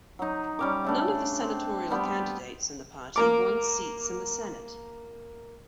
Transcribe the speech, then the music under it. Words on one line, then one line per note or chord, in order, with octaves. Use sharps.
None of the senatorial candidates in the party won seats in the Senate.
F#3 D#4
G3 C#4 D6
C#3 A3 D4
C4
G3 B3 G4
A#3 A#4 D6